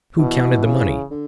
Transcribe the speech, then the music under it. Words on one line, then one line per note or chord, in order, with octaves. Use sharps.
Who counted the money?
B2 E3
C#3
D3